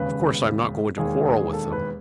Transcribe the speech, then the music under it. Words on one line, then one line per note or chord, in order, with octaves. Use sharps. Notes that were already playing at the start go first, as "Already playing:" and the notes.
Of course I am not going to quarrel with them.
Already playing: E1 D#2 C#3 B4
E1 D#2 D#3 G#4
G#4
A4
B4